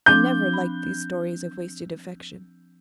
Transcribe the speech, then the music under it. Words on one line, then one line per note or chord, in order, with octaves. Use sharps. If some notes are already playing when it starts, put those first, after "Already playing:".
I never liked these stories of wasted affection.
F3 C4 D4 G6
B5